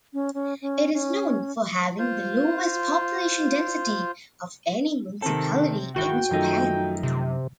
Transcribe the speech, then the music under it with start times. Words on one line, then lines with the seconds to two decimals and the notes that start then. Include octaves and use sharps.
It is known for having the lowest population density of any municipality in Japan.
0.13 C#4
0.34 C#4
0.62 C#4
0.93 C#4
1.99 F4 C5
5.22 C3 D#3 C4 A4
5.96 G#1 D#3 E4 F#4 G5 G7
6.31 F#2 D#3 F3 A3 D#4
7.03 C3